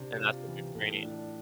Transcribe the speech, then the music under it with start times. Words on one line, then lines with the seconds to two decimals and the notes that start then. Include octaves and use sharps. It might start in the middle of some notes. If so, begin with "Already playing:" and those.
and that's what you're training.
Already playing: C3 D4
0.19 F4
0.47 E3
0.75 A2 A3
1.03 D4